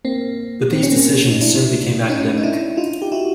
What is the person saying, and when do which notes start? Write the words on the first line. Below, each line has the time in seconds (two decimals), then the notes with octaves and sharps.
But these decisions soon became academic.
0.05 A#3 C4
0.72 C4
0.83 C#4
0.91 A#3 C4
1.30 D#4
1.41 D4 E4
2.10 C#4 D#4
2.37 D#4
2.44 D4 E4
2.77 D#4 F4
3.02 G4
3.12 E4 F#4